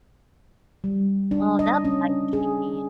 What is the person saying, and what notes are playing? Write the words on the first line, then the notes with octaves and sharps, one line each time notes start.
Well, that might mean she can.
G3
D4
D#5
C#4
G#4